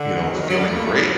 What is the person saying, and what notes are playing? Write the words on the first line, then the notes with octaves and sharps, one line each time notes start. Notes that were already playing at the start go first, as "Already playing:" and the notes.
you know, feeling great
Already playing: D3
D#3
F#3
D#3
F#3
G3
A3
A#3
A3
G3
F#3